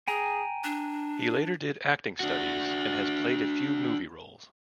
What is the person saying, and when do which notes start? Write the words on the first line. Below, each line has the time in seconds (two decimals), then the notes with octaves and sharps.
He later did acting studies and has played a few movie roles.
0.08 G#4 G5 G#5 A#5
0.64 D4
2.20 D4 F#4